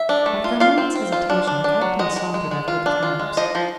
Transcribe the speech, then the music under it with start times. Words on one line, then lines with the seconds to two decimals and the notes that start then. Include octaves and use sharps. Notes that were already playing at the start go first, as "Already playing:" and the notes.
After a moment's hesitation, the captain sauntered after the cabs.
Already playing: E5
0.09 D4
0.26 A3
0.44 F4
0.60 F4 F5
0.78 C4
0.96 C4
1.12 F4
1.30 D4
1.47 D4
1.64 D4
1.81 F#3
1.99 G#3 D#5
2.16 G#3
2.34 G#3
2.51 G#3
2.68 F4
2.86 D4
3.03 F4
3.20 G#3
3.37 F3 D#5
3.55 F3